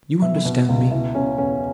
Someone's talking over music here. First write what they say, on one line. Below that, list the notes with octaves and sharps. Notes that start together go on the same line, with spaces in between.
You understand me?
B2 E5
B2
C#2
B2 E4
B2 C#4
E2 C#4